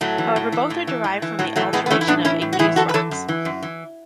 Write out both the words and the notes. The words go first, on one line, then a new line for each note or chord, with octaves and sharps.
However both are derived from the alteration of igneous rocks.
A2 F#3 A3
E3
A2
E3
A2
E3
A2
E3
A2 F#3
E3 F#3 A3
A2 G#3 B3
B3
E3 A3 C#4
E4
A2 B3 D4
E3 C#4 E4
A2
F#4
E3 E4 G#4
F#2 F#4 A4
B4
E3 A4 C#5
F#2
E3
F#2
E3